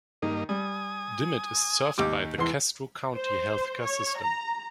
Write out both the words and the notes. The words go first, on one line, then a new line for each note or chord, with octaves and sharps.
Dimmitt is served by the Castro County Healthcare System.
G2 D#3 A#3 D#5
G3 G#5 D#6
D#2 G4 D6
E2 E3 C6
C5
C#5
A#5